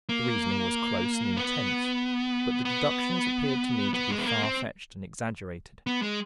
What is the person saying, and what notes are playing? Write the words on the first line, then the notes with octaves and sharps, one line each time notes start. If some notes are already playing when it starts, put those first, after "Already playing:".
The reasoning was close and intense, but the deductions appeared to me to be far-fetched and exaggerated.
A#3
B3
B3
B3
G#3
B3
A#3
C4
B3
G#3